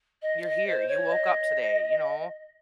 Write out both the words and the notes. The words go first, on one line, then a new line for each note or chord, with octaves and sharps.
you're here, you woke up today, you know?
D#5
D#5
C5
C#5
D#5